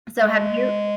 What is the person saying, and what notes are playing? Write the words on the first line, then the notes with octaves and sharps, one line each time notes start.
So have you
G#3